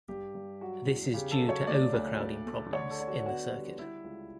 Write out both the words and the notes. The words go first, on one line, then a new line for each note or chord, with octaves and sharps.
This is due to overcrowding problems in the circuit.
G2 G4
G2
F#3 F#4
E2
C#3 G4
A4
F#3
C#5
A3 D5
D2
D2
A3
D3 C#5
A4
D3
F#4
B3 F#4
G3
G3 E4
C#2